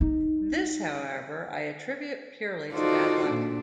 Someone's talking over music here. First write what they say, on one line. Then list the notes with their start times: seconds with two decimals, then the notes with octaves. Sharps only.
This, however, I attribute purely to bad luck.
0.01 D#4
2.73 D#4 F4 F#4 A4 C5 D5
3.26 A#2 D4